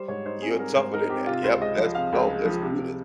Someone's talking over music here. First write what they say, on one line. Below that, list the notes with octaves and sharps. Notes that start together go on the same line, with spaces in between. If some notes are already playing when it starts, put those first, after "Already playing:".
You're tougher than that. Yep. Let's go. Let's do this.
Already playing: G3 C5
G#2 C#5
D#4 C5
C4 G#4
G3 A#4
G#2 C5
D#4 A#4
C4 G4
C3 F4
C#2 C5
G#3 D#5
F3
C3 F5
C#2
G#3
F3
C3